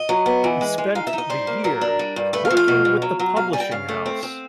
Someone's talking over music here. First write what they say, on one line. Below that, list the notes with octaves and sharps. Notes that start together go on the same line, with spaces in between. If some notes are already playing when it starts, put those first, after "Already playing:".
He spent the year working with the publishing house.
Already playing: D#5
F#3
B3
E3
G#3
G#3
D#4 F5
E5
D#4
D#5
G3 C5
A#3
F#3 A#4
D4
G3
G2
A3 B4
F5
F3
F5
B2
B2
F#3
F#3
B2 F5
G3 G#5
G5
C#3 F5
A3
C4
C4